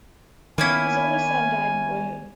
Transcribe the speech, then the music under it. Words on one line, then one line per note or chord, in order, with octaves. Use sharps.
His only son died in boyhood.
D#3 A#3 B3 C#4 E4 G#5